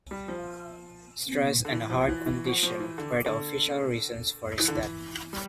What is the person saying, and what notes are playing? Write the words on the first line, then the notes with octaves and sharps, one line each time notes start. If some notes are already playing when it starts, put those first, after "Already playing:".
Stress and a heart condition were the official reasons for his death.
G3
F3
D3
E3
F3
E3
E3
F3
F3
E3
D3
D3
E3
D3
E3
G3